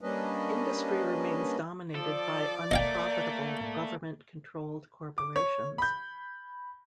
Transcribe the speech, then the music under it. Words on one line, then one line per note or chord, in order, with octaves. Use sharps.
Industry remains dominated by unprofitable government-controlled corporations.
G3 A#3 C#4 D4 B4 D#5
F3 A4 D5
A3 A#3 D#5 F5 G5
D6
C#5
B5 G6